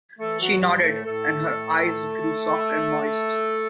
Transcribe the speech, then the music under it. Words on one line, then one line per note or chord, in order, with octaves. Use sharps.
She nodded, and her eyes grew soft and moist.
E3 A3 A4
F#3 F#4
A2 G3 G4
A3 A4
A2 A3 A4
A2